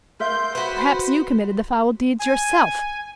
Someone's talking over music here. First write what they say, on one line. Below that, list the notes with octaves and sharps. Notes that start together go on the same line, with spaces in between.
"Perhaps you committed the foul deeds yourself."
A#4 E5 F5 C6 G6
F#4 B4 C5 B5
G#5